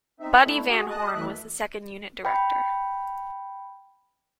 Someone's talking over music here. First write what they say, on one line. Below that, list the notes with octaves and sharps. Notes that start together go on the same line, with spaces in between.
Buddy Van Horn was the second unit director.
C4 D#4 E5
A3 D4 E4 A4
F#4 G#4
D#5 A5 D#6 F#6
F#2 E3 A3 E5 F#6
G5 B5